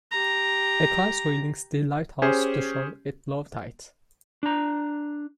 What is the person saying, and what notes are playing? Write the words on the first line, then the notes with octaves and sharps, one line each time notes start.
A causeway links the lighthouse to shore at low tide.
G4 A#5
C#4 G4 G#4 C5
D4 A#5